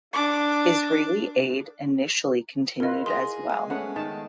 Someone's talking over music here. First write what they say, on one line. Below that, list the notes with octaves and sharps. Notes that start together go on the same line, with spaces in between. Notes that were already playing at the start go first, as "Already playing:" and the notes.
Israeli aid initially continued as well.
D4 D6
E4 F4 A#4 B4 D#5
G#4 C6 A#6
G#3 G#5
A3 B3 C#4 F#5
D#3 A5